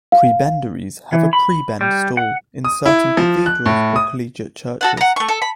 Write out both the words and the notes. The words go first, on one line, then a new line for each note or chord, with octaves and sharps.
Prebendaries have a Prebend Stall in certain cathedrals or collegiate churches.
F5
E3
B5
G3
F#5
D#6
E4
F3
F#6
A2
D#6
F#4 A4 F#5
F#5 A#5
A3 C#6
A4
B5